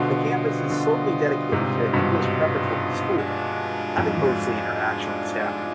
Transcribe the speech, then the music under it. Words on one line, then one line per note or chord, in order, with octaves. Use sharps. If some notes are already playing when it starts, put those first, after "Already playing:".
The campus is solely dedicated to English preparatory school having mostly international staff.
Already playing: B2 D3 G3 B3 F4 C5 D#5
B2 D3
G#2 C3
G2 B2
F3 G#3 D4 F4
F2 G#2